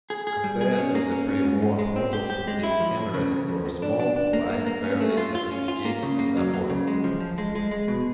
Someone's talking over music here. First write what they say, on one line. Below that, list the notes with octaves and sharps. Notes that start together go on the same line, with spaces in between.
Compared to the pre-war models, these cameras were small, light, fairly sophisticated and affordable.
G#4
G#4
G3
G#4
C#4
A#3
C#4
C#4
G#2
G#2
G#3
C4
G4
G4
G#3
E4
F3
F2
C#3
F2
F2
F2
D4
D4
D4
A#3
A#3
A#3
C#4
A3
F4
F4
C#4
F4
A#3
C#3
A#3
F#3
F#3
C#3
G#3
F3
F3
G#3
G#3
G#3
B2